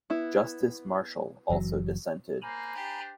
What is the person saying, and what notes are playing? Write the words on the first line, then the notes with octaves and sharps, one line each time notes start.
Justice Marshall also dissented.
B3 E4
F#1 E3 F#3
A#3 C5 G#5 A#5 B5
D4 G4 C5